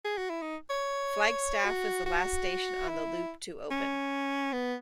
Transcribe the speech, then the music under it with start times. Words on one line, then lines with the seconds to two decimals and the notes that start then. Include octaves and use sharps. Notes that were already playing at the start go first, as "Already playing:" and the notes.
Flagstaff was the last station on the loop to open.
0.04 G#4
0.18 F#4
0.30 E4
0.42 D#4
0.70 C#5
1.65 F#4
2.06 F#4
2.88 E4
3.71 C#4
4.53 B3